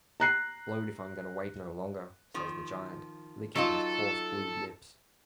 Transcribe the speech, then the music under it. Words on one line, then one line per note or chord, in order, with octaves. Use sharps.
"Blowed if I'm going to wait no longer," says the giant, licking his coarse blue lips.
A#5 F#6 C7
D#3 F3
F#3 D#4 F4 A4